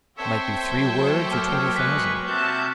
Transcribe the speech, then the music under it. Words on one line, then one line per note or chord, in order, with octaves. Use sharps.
It might be three words or twenty thousand.
C4 A4 C5 C#5 E5 G5
F#3 A#3
D6 F6
G#3 B4 C#6 F#6 B6
C3 F#4 E5 A5 G6